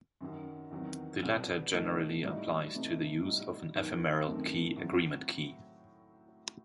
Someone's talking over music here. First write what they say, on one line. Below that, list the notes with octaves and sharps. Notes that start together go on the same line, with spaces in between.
The latter generally applies to the use of an Ephemeral Key Agreement Key.
F#2 D#3 F#3
E2 D#3 F#3 C4
C2 B2 G3
D#3 A3 D#4
A2 G3 D#4 F#4
C3 E3 A3 D#4
A2 G3 D#4 F#4
D#2 D#3 F#3 B3
F#2 D#3 A3 C4
A2 F#3 C4